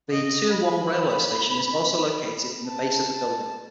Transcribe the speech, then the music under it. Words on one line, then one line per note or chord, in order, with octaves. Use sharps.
The Toowong Railway Station is also located in the base of the building.
D#5
B5
A5
A5